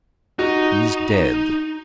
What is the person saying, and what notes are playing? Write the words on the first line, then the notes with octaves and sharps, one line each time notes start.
"He's dead."
D#4 F#4